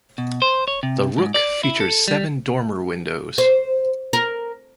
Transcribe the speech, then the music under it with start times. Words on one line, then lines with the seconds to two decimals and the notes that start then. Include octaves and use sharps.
The rook features seven dormer windows.
0.18 B2
0.42 C5
0.68 C#5
0.83 C3
1.18 G#2
1.34 D5
1.63 E4
1.80 A4
2.08 G3
3.38 C5
4.13 A#4